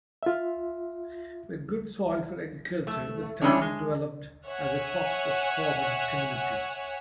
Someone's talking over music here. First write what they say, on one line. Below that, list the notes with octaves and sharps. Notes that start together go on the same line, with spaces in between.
With good soil for agriculture, the town developed as a prosperous farming community.
F4 E5
A3
E3 G3 G#3 C#4 D4 C#5
G#3
C#5 E5 F#5 G#5